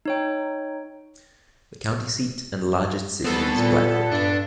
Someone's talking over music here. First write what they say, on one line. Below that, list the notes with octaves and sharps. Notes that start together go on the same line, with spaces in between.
The county seat and largest city is Blackfoot.
D#4 C#5 G5
G3 B3 C4 A4
A#2
G2 D4